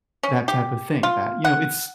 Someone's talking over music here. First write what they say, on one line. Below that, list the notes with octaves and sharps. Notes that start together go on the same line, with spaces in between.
that type of thing, that, you know, it's
C#4
G4
F4
F#5